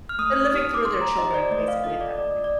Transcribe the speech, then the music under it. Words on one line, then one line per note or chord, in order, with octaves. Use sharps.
They're living through their children, basically, at that point.
F6
A3 D#6
D#4 G4 F6
D#6
D6
A3 C6
A#5
D#4 G4 D#5
C5
D5
A3 D#5
F5
D4 F4 A4 D#5
D5
A3 D5
D#5
D5